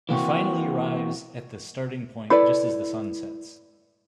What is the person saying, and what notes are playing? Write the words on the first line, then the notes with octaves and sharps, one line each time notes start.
He finally arrives at the starting point just as the sun sets.
E3 A#3 C4 F#4
E4 A4 B4 D5